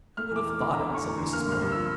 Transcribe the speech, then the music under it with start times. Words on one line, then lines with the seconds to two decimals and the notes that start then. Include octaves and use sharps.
"Who would have thought it?" said Mrs. Coleman.
0.17 A3 F6
0.31 E2 D6
0.46 E2
0.60 D3
0.74 A3 A#5
0.88 E2
0.94 C#6
1.03 E2
1.18 D3
1.33 A#3 F6
1.46 G2
1.52 F6
1.62 G2
1.72 F3 E6